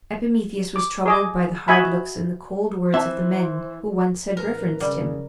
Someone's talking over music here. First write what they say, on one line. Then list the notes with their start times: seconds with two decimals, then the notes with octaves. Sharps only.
Epimetheus was troubled by the hard looks and the cold words of the men who once had reverenced him.
0.76 D6
1.06 G#4 D#5 D6
1.68 F#4 D#5 E5 G#5 B5
2.94 E3 C4 C5 E5 A5
4.37 A1 A#4 B4
4.80 C#3 G3